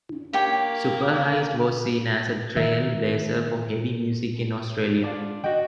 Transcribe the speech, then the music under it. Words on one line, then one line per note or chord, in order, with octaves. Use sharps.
Superheist was seen as a trail blazer for heavy music in Australia.
A#3 G4 C#5 G5
D#3 E3 A#4 E5
D4 F4
F#4 D#5 G5